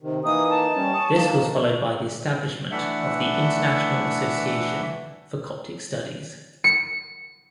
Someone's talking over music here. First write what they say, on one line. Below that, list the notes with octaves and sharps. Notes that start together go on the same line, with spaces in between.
This was followed by the establishment of the "International Association for Coptic Studies".
C3 D#3
E3 A#3 D#4 D#6
A5
G3 C#4
C#6 D#6
D#3 F3 A#3
E3 A3 D4 E5 F#5
C#7